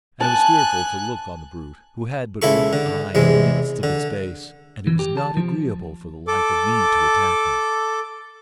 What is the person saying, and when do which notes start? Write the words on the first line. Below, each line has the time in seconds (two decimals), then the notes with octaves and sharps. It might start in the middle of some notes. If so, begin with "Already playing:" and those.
And it was fearful to look on the brute, who had but one eye in the midst of his face; and it was not agreeable for the like of me to attack him.
0.21 G#5 A5 F#6
2.42 C#2 E4 A4 C#6
2.73 D3
3.15 E2 C3 G#3
3.83 D3
4.87 E3
4.99 G4
5.17 A5
5.37 F3
6.27 A4 D6